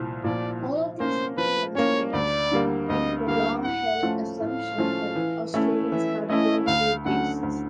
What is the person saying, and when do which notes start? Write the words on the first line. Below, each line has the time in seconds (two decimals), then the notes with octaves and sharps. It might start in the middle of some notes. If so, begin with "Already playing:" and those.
All of these sentiments plays into a long-held assumption that Australians have low-brow tastes.
Already playing: C2 A#2 F3
0.24 A#2 F3 D5
0.62 F3
1.00 A#3 C#4 C5
1.38 F3 B4
1.75 A#3 C#4 C#5
2.13 D2 D5
2.51 D3 G3 A#3
2.89 D2 D#5
3.27 D3 G3 A#3 F5
3.65 A2 F#5
4.03 F3 A3 C#4 F4
4.40 A2 F5
4.78 F3 A3 C#4 F4
5.16 E3
5.54 A3 C#4 E4
5.92 E3 E5
6.29 A3 C#4 E4 D#5
6.67 D2 F5
7.05 D3 F#3 A3 C#4 F#5
7.43 D2